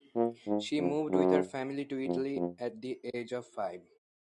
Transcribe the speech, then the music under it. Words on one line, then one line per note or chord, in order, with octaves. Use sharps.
She moved with her family to Italy at the age of five.
A#2
G#2
F2
F#2
F2
F2